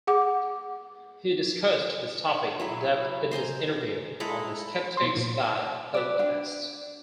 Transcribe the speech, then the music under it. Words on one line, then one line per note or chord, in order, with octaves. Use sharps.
He discussed this topic in depth in his interview on the "Skeptics' Guide" podcast.
G#4 F#5 D6
F#3 E4 G#4
C5 D#5 G#5 A#5
G#3 E4 A4 A#5
B2 C6
A#2
B4 D5
D4 G5